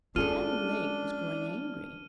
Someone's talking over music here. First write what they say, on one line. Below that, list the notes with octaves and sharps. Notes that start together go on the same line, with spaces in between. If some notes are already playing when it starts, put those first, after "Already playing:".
Stanley Lake was growing angry.
G#3 C#4 D4 F4 G#4 A4 F6 D#7